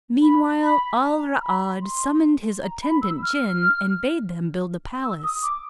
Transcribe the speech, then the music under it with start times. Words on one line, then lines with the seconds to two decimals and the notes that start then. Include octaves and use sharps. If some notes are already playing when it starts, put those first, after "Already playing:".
Meanwhile, Al-Ra'ad summoned his attendant Jinn and bade them build the palace.
0.22 B5
0.63 B5
1.03 A#5
1.42 B5
1.82 C6
2.62 A#5
2.82 B5
3.02 E6
3.23 F6
5.03 E6
5.23 D#6
5.42 D6